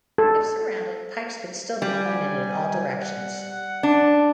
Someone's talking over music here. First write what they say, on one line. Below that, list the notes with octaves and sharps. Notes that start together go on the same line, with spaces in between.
If surrounded, pikes could still be pointed in all directions.
A4
G3 G#5
F#5
D4